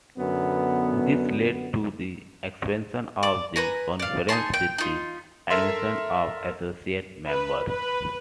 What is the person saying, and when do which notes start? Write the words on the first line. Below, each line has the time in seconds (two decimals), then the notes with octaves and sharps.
This led to the expansion of the Conference, with the admission of Associate Members.
0.18 F#2 D3 B3
3.23 D5
3.56 B4 G#5 A#5
3.99 D5 F5
4.29 D#4 G#5 A5 C6
4.54 G5
4.78 D#4 F4
5.50 A4 A#4 E5 C6
7.28 B4
7.69 B4